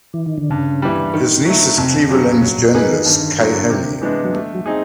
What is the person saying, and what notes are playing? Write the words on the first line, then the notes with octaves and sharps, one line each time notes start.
His niece is Cleveland journalist Kay Halle.
E3
D#3
D3
G2 C#3
E3 G3
D#3
F#3 A3
F2 C3
C#3 F#3
A#2
B2 F#3
A#2
A2 A#3 D#4 G#4 B4
D#3
G2
D3 F#3 A#3
C3
E3 G#3 B3 D4
F#3
G3 A3
F#3
C4 D#4 G#4